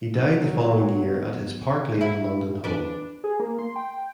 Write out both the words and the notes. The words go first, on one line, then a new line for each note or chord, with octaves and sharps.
He died the following year at his Park Lane London home.
B1 F#3
E4
D4 B4 D5
G#4
A#3
C6
G5